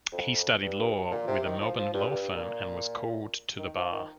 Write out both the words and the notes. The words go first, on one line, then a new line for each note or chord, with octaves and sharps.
He studied law with a Melbourne law firm and was called to the bar.
F2
G2
A#2
C3
D#3
F3
F3
G2
G2
A#2
D#3
F3
D#3